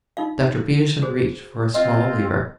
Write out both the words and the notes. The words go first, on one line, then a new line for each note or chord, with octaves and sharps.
Dr. Peterson reached for a small lever.
D#4 F4 F5
F#4 G#4 C5
C4 F4 D#5